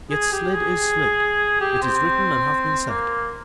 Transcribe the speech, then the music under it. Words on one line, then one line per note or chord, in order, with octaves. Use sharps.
Yet Slid is Slid--it is written and hath been said.
G#4
G4
G#4
G4
C4
A#3